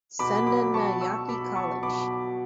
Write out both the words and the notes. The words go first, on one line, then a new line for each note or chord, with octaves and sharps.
Senanayake College.
B2 B5 D6
F#3 B5 D6
B2 A5 C#6
F#3 C#6 E6
B2 B5 D6
F#3 A5 C#6
B2 B5 D6